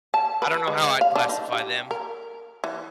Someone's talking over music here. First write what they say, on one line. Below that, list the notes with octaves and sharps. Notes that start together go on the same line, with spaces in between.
I don't know how I'd classify them.
A5
B4
G#3
F5
D4
D#4
G4
A#4
E3